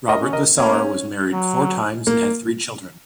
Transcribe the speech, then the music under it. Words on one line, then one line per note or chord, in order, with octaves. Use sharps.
Robert Lissauer was married four times and had three children.
A#4 D#5
C#4
A#4 D#5
A#3 C#4
F#3
A#3